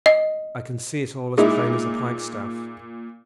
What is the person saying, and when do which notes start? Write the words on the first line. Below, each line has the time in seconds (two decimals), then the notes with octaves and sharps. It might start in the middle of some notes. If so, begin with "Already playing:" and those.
I can see it all as plain as a pikestaff.
0.06 D#5
1.38 A#2 G#3 D#4 E4